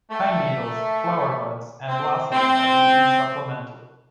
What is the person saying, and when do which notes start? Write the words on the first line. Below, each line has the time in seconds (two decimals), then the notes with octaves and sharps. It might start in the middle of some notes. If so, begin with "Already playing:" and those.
Pine needles, flower buds and blossoms are eaten supplementally.
0.11 A3
1.88 C4
2.33 C4